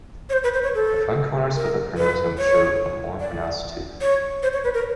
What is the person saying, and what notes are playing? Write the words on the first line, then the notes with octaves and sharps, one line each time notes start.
The front corners of the pronotum show a more pronounced tooth.
C#5
C5
B4
C5
C#5
A4
A#4
B4
C#5
D5
C#5
C5
C#5
B4
A#4